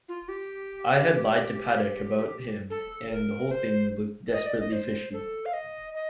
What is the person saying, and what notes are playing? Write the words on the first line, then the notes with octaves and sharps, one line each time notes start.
I had lied to Paddock about him, and the whole thing looked desperately fishy.
F4
G4
A4
A#4
C5
D#5
D5
D#5
C5
A4
F5
D#5
D#5